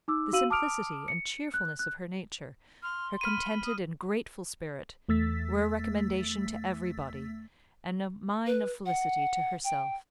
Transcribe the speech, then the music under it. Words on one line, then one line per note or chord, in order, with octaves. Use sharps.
The simplicity and cheerfulness of her nature, her contented and grateful spirit, were a recommendation to every body, and a mine of felicity to herself.
D#4 D6 E6
F#4 F5 E6 D#7 F#7
A5 D6 D#6 F6 D7 F7
C#7
F#6
F#6
C6 F6
B5 F6 D#7
D#6
E2 A3 E6 A6 B6
B4
F#5
G5